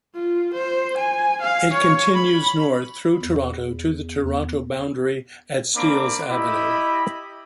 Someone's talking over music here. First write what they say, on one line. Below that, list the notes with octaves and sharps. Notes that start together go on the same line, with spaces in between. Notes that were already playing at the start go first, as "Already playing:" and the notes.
It continues north through Toronto to the Toronto boundary at Steeles Avenue.
F4
C5
G#5
F5
C#5
B5
E2
A#3 C4 D4 B5 D6
E4 G4 D#5 B5